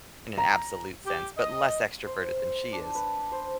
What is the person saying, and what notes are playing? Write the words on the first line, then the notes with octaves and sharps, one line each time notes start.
in an absolute sense, but less extroverted than she is.
A#5
G4
D#5
C5
D4
B4
C5